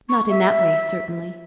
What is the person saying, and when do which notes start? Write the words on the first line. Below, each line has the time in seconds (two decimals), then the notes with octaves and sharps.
"Not in that way, certainly."
0.09 C#6
0.30 E5